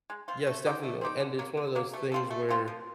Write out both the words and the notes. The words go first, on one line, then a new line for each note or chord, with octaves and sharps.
Yes, definitely, and it's one of those things where,
G#3
C4 F4
A3
C4 D#4 G4
A3
C4 D#4 G4
D3
F#3 A#3
D3
F#3 A#3
A3
C4 F4 A4
A3
C4 F4 A4
F3